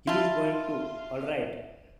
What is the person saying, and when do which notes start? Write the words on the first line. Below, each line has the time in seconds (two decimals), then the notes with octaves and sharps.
He's going to, all right.
0.07 E4 F4 A5